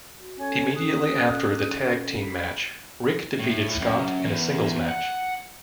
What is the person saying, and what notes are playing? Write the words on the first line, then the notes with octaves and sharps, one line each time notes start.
Immediately after the tag team match, Rick defeated Scott in a singles match.
F#4
C#4 A4 C#5 G#5
D#6 F#6
B5
A2
F#2
E2
F#5